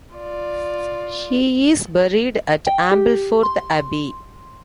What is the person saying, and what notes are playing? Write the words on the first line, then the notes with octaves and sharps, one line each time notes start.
He is buried at Ampleforth Abbey.
F4 D5
G5
G4
C6